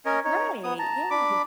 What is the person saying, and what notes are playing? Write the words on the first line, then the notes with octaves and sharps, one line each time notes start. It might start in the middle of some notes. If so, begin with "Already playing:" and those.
Right. Yeah.
C#4 A#4 C#5 D#5
D#4 C#5
B3 D#6
A5 A#5
D4 B5 D6